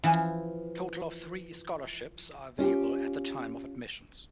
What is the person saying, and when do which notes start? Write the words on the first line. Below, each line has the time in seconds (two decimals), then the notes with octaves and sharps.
Total of three scholarships are available at the time of admissions.
0.04 E3 F3
2.58 C#4 F4 G4